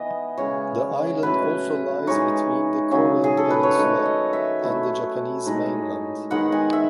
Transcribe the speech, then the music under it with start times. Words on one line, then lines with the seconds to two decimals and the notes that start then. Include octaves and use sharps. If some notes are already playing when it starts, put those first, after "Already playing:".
The island also lies between the Korean Peninsula and the Japanese mainland.
Already playing: E3 B3 E4 D#5
0.38 C#3 G#3 C#4 E4 C#5
1.22 A2 F#3 C#4 E4 B4
2.07 E3 G#3 D#4 C#5
2.91 C#3 F#3 C#4
3.24 G#4
3.37 A4
3.50 B4
3.63 C#5
3.76 D#3 A3 D#4 D#5
4.05 D#5
4.33 E5
4.61 F#3 A3 E4
5.46 A2 G#3 D#4
6.30 D#3 G#3 B3 F#5
6.52 G#5
6.73 E5